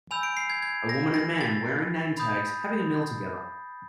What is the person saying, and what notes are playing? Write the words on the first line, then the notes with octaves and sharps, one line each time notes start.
A woman and man, wearing name tags, having a meal together.
G#5 B5 E6 G6 F7
D7
C7
G#6
G#6
A#6
A#6
A6
B5 D#6 G6